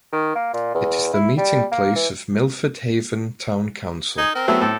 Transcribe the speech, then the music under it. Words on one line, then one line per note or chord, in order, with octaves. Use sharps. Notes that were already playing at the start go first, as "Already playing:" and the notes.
It is the meeting place of Milford Haven Town Council.
D#3
A#3
A#2
E2
E4
G3
A#3
E3
D#4 G#4
C4 A#4
F#3 A3 B3 E5
A2 A4